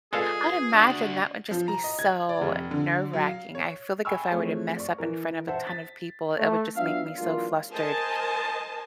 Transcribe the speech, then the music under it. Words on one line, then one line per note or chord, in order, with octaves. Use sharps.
I'd imagine that would just be so nerve-racking, I feel like if I were to mess up in front of a ton of people, it would just make me so flustered
G#3 F4 G#4 A4 B4 D5 F5
D4 F#4
F3
A#5
D#5
G#6
D5
F1
D3
F#3
F5
C#5
G5 G#5 B5 C#6 E6 F6
F3 A3 C4 G#4 C#5
D5 C#6
E3 A#4
C5 E5 F#5 A5
A6 B6
A3
F#3 B3 D4 F4 E5 F5
E3 F#3 G#3 A#3 D4 F4
A#4 C5 D#5 G#5 A5